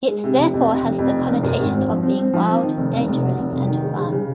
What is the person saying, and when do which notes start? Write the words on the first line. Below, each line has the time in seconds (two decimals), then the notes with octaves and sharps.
It therefore has the connotation of being wild, dangerous, and fun.
0.08 G#3
0.24 C3
0.38 F1
0.53 F2
0.69 C3
0.83 F1
0.99 F2
1.13 F1
1.28 F1
1.43 F#2
1.59 G#1
1.73 C4
1.88 F3
2.03 C4
2.18 C4
2.33 F3
2.48 C4
2.63 D#3
2.77 F1
2.93 F1
3.07 F1
3.23 F#3
3.38 F1
3.53 F1
3.67 D#3
3.82 C#3
3.97 C#3
4.12 C#3